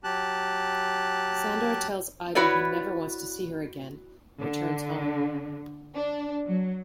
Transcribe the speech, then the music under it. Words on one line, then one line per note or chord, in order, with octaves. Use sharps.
Sandor tells Ida he never wants to see her again, and returns home.
F#3 G4 A5 F#6
E4 F#4 B4 C#5 D5
D3
D4
F#3